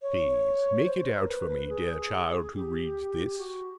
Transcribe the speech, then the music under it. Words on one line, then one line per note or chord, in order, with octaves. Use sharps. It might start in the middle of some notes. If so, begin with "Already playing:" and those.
Please make it out for me, dear Child who reads this!
C#5
C5
A#4
B4
G#4
G4
F#4